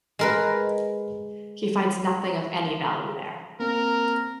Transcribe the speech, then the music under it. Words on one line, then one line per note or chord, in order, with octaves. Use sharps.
He finds nothing of any value there.
G#3 A#4 B4
A#3 C4 A#4